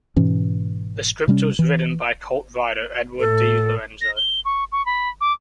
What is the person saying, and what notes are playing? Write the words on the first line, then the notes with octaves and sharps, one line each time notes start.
The script was written by cult writer Edward di Lorenzo.
G#2 B2 E3 C#4
C3 G3 A3 C#4
E3
A2 A4
A#6
G7
C#6
C#6
B5
D6